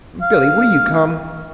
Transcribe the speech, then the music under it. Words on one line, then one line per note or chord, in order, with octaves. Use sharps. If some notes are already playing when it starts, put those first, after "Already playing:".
Billy, will you come?
F5